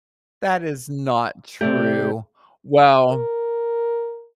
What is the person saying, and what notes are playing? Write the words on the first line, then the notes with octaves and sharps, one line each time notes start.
That is not true. Well
C3 A3 G4 D5
A#4